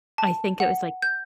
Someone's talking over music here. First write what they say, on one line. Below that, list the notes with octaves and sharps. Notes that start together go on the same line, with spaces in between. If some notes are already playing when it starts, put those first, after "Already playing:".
I think it was, like
A5
F#5
G6